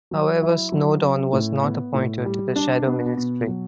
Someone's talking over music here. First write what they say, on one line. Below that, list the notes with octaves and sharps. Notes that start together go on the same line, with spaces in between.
However, Snowdon was not appointed to the shadow ministry.
F#3
E4
F#3
C#4
A2
B3
A2
G3
D4
B3
B2
F#3